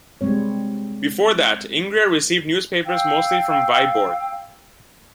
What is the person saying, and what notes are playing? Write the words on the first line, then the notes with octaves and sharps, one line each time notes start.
Before that Ingria received newspapers mostly from Viborg.
G3 G#3 C4 C#5
F5 G5 E6